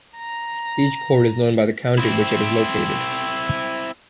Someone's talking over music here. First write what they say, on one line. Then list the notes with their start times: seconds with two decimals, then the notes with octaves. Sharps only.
Each court is known by the county which it is located.
0.17 A#5
1.98 C4 E4